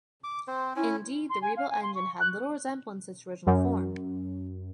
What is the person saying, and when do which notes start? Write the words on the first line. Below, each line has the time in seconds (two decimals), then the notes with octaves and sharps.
Indeed, the rebuilt engine had little resemblance to its original form.
0.24 D6
0.48 C4 C5
0.76 C#4 E4 G#5
1.30 C6
1.42 G#5
1.57 F5
1.70 G#5
1.83 C6
1.95 C#6
2.20 F#6
3.47 F#2